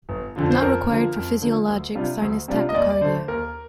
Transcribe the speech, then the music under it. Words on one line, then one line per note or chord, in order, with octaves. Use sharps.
Not required for physiologic sinus tachycardia.
G1
F2 D3 F3
C5
F2 A#4
D3 F3 A#3
F2
D3 F3 A#3
D2
C3 G3 D4 F4
D2
C3 G3 D4 F4
D#5
D#2 D5
D5
D3 A3 C5
D#2 A#4